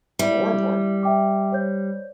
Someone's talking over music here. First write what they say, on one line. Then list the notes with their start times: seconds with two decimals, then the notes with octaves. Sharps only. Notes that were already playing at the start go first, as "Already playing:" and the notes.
More important.
0.19 G3 E4 E5
1.03 E5 G5 D6
1.52 C5 C#5 G6